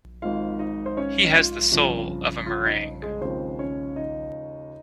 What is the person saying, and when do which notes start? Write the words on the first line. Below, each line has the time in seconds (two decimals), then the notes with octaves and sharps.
He has the soul of a meringue.
0.22 G#1 G#2 D#3 G#3 F4 F5
0.59 D#4 D#5
0.86 C5
0.97 C#4 C#5
1.23 D#4
1.34 F4
1.72 G1 F2 C#3 F3
2.46 F4
2.65 D#4
3.02 G#3 G#4
3.21 D#2 C#3 F3 G#3 C4 C5
3.59 C#4 C#5
3.96 D#4 D#5